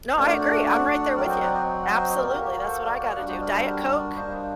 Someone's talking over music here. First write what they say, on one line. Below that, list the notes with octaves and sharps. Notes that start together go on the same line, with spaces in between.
No, I agree, I'm right there with you. Absolutely, that's what I gotta do, Diet Coke,
C5
A3 D4 F#4 A#4 D5
D5 F#5
D5 F#5
D5 F#5
F#3 C4 F#4 A#4 D5
C5 D#5
D5 F#5
C5 D#5
F#5
C5 D#5
A#3 F#4 A#4 D5
G4 A#4
G4
A#4
A4 C5
A#4 D5
D5 F#5
D#5
G3 D4 F#4 D5 F#5
C5 D#5
A#4 D5
A4 C5
G4 A#4
A#4 D5
G3 A#3 D4 C5 D#5